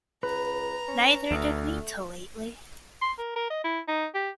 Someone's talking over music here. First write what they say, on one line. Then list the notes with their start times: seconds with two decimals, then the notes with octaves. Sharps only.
Neither did we till lately.
0.23 C#2 B4 A#5
0.88 C#4
1.31 D2 A3
3.02 C6
3.19 A#4
3.36 A#4
3.50 D#5
3.64 E4
3.88 D#4
4.15 G4